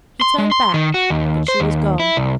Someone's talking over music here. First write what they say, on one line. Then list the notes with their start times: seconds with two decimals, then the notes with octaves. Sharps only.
He turned back, but she was gone.
0.21 C6
0.38 G#3
0.52 C6
0.74 D#3
0.94 F#4
1.10 D#2
1.48 C5
1.60 D#2
2.00 E4
2.17 C2